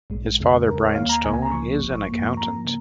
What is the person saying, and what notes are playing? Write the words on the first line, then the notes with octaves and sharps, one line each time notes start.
His father, Bryan Stone, is an accountant.
A#1 G#2 G#3
F2 C#3 G#3
D#2 C#3 G#3 A#4
C#5
D#2 D#3 A#3 F5
A#5
C#2 C#3 A#3 G#5
G#5
A#5
C#2 C#3 F3 A#3 C#6
G#1 G#2 F3
F2 F3 A#3
G#2 F3 A#3 A#5
C#3 A#3